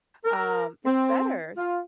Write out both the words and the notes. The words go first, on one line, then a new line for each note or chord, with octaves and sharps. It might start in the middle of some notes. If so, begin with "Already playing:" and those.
um, it's better s
A#4
C4
F4